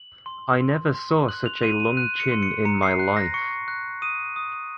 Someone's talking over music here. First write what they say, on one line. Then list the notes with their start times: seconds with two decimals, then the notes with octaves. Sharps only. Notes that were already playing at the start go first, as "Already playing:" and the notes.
I never saw such a long chin in my life.
Already playing: F#7
0.26 C6
0.60 C6
0.95 C6
1.28 F#6 F#7
1.46 F7
1.63 C6 D#7
1.80 D#7
1.97 F#6 D#7
2.20 C#7
2.32 C6
2.43 C#7
2.65 A#5 C#7
2.83 C7
2.99 F#6
3.16 A#6
3.34 C#6 C#7
3.68 F#6
4.02 D#6 D#7
4.36 D#6